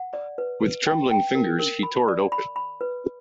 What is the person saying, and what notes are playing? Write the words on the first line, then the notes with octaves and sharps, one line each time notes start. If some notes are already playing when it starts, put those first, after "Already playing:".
With trembling fingers he tore it open.
Already playing: F#5
D5
B4
B4
G5
G5
A#4
A#4
B5
D5
B5
B5
B4